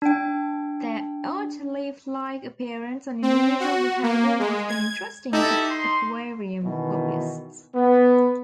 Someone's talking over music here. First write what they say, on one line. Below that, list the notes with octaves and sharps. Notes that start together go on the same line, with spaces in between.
Their odd, leaf-like appearance and unusual behavior make them interesting to aquarium hobbyists.
D4 G5
C4
F#4
A#3
G#3
G#6
D#4 E4 G4 A4
C6
B2 D#3 E3
B3